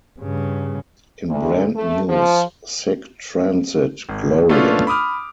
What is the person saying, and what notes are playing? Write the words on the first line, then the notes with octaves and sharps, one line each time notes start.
In Brand New's Sic Transit Gloria...
G2 C#3
D2
A3
F3
G#1
A3 B3 C#4 D4 F4
B5 D6 D#6 F6